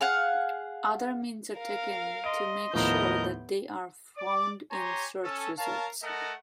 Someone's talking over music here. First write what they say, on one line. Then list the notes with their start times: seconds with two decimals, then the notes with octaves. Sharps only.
Other means are taken to make sure that they are found in search results.
0.01 G#4 F5 F#5
1.57 A#4 F5
2.24 D#5 C6 D7
2.73 D#2 A2 F3 B3 A#4 D#5 G6
4.17 D5 D6
4.71 G4 C#5 G#5 A#5 C6
5.23 C#4 A4
5.58 A#4 C#5 F5 A5
6.02 A3 A#4 D#5 F#5 A5